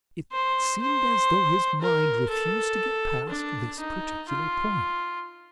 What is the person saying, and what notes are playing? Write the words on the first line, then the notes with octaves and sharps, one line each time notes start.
It seemed as though his mind refused to get past this particular point.
C5
C5
A#4
A4
D4
D#4
F4